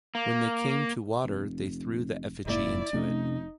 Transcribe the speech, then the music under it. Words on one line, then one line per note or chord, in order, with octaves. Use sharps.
When they came to water, they threw the effigy into it.
A#3
F1
F1 G#2 A#3 E4 D5
F1 C3 A3 C#4 D#4